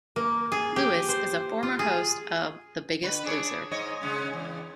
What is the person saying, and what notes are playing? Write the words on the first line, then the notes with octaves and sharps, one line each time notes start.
Lewis is a former host of "The Biggest Loser".
A#3
G#4
G4
C5
F4
G#4
D3 B4
D4 G#4 C#5
G#2 C#5 D#5
C#3 G#3 C#4
E2